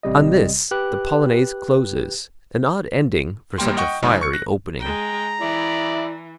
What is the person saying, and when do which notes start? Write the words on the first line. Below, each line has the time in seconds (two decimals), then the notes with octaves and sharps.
On this the Polonaise closes, an odd ending for such a fiery opening.
0.03 A1 C3 G3 D#5
0.71 G4 B4 F#6
3.58 A1 G3 A#3 A#4 G5 C6
3.77 D#5 F#5 G5 C#6
4.02 F#2 C#3 G#3 D#4
4.21 C#6 C#7
4.33 F#6 A#6
4.80 G#3 G5 A#5
5.41 E3 E4 D5